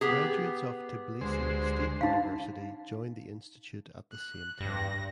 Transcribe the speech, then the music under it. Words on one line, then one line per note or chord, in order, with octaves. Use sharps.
Graduates of Tbilisi State University joined the institute at the same time.
B3 G4 G#4
D2 G#3 C5
D#4 F5
F#6
G2 A#6